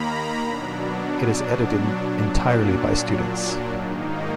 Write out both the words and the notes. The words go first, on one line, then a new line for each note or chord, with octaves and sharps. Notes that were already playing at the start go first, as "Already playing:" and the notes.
It is edited entirely by students.
Already playing: D#2 D#3 A#3 A#5 B5
B2 F#3 D4
A#2 F#3 D4
G#2 D#3 A#3 D#4